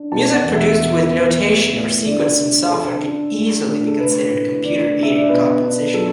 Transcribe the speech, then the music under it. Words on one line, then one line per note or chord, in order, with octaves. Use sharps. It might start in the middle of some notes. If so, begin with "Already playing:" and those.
Music produced with notation or sequencing software could easily be considered computer-aided composition.
Already playing: D4
B2 A5
F#5
E2
E5
B2
B3
A3
A2
D3 D5
D4
D3 A4
D4
A3
D3
A4
A3 B4
A2
D3 D5
D4
E5
D5
B2 B4
D4
F#3 A4